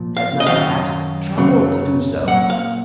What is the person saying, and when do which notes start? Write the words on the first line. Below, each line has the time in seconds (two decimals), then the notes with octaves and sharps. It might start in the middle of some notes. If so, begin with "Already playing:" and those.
Has not perhaps troubled to do so.
Already playing: A#2 F3
0.17 F5
0.40 D#5
0.46 F#2 D#3 F#3 F5
1.37 F#2 C#3 F#3
2.27 A#2 F#3 F#5
2.50 F5